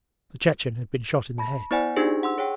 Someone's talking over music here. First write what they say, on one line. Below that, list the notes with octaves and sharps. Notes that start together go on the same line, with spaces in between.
The Chechen had been shot in the head.
A5 B5 A#6
B3 E4 C5 D5 F#5 G#5
D4 D#4 F4 G4 G#4 C5
F#5 C6 E6
G#4 C#5 F#5 G5